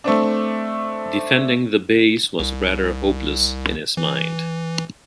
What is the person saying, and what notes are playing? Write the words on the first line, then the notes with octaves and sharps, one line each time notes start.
Defending the base was rather hopeless, in his mind.
A3 C4 D4
C2
E3